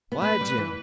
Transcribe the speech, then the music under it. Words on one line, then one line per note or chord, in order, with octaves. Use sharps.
"Why, Jim?"
B3
A3 B4
G3
E3